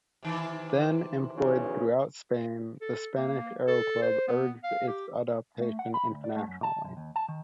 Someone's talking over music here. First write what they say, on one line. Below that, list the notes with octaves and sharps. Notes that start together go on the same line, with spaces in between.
Then employed throughout Spain, the Spanish Aero Club urged its adoption internationally.
C3 D#3 E3
B1 E2 C#3
A4
A#3
A4
C5
B3
F5
G4
A3
F#5
B5
D2
D5
A3
F#2
A5
F#2
D#2
A5
D#3